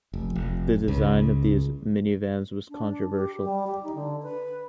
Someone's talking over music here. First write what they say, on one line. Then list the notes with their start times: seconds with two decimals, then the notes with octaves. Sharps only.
The design of these minivans was controversial.
0.14 F1
0.35 F1
0.88 C#2
2.70 D4
3.13 G4
3.43 G3
3.67 G4
3.83 D#4
3.95 D3
4.23 B4